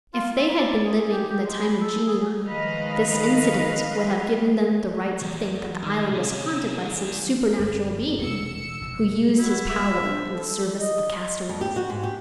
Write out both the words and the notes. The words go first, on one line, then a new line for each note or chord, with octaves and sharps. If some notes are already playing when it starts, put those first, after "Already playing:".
If they had been living in the time of genii, this incident would have given them the right to think that the island was haunted by some supernatural being, who used his power in the service of the castaways!
F4
E5
D5
G#4
G4
G4
G#3
B5
A4
G#4
D#3 F3 G#3 B4 D#5 F5
E2
D#3
C3 C#4
E3 G#4
G1
E1 C3 E3 E6 C#7
F1 B2
G3 E4 F#4
E5
D4 C5
A4
D#5
F2
G4
F#4
G#2
G4